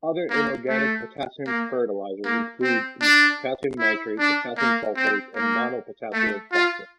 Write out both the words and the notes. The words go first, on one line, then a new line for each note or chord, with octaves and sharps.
Other inorganic potassium fertilizers include potassium nitrate, potassium sulfate, and monopotassium phosphate.
A#3
A3
A#3
A#3
C4
D4
E4
D4
A#3
C4
A#3
A3
F4